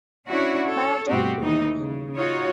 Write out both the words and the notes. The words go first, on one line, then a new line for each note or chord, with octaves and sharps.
But I don't blame him.
C#4 D4 E4 F#4 C#5
A4 C#5
G2 B2 A3 C4 F#4 G4
D#2 E3 A3 D#4
C#3
D#4 F4 F#4 C#5